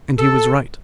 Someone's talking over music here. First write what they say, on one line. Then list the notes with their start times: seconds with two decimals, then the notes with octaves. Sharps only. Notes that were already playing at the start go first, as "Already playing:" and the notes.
And he was right.
0.19 A4